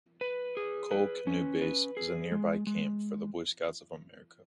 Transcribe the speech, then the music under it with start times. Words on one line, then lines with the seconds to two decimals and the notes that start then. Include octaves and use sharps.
Cole Canoe Base is a nearby camp for the Boy Scouts of America.
0.21 B4
0.57 G#4
0.91 B4
1.27 C#4
1.62 B4
1.97 G#4
2.32 G#3
2.67 G#3